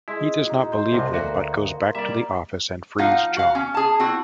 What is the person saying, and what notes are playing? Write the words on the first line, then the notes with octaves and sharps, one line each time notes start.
He does not believe them, but goes back to the office and frees John.
G#3 E4
D#4 F#4
C5
C2 G#2 C3
D2 A#3 F#4
G3 A#3 D5 E5
F3 D#4 F4 F5 F#5
F#4 F5
C#4
G#4 A5
C4 E4 F#4